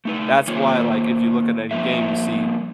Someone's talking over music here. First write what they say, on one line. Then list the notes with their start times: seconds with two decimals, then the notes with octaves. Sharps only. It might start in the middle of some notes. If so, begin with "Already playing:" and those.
That's why, like, if you look at any game, you see
0.05 A3 D#4 B4
0.48 D#3 A#3 F4 C5 C#5 D#5
1.71 F3 G3 A#3 D#4 F4 E5